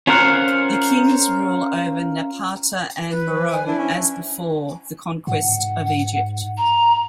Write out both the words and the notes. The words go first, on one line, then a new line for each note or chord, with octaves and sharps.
The Kings rule over Napata and Meroe as before the conquest of Egypt.
C#4 F4 A#4 C5 F5 F#5
B4
F3
G#5
D4 E4
C#4
G#2 F#5
A#5